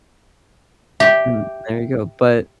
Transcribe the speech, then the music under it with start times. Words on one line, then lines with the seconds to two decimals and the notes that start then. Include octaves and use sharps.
mm, there you go, but
1.00 G4 E5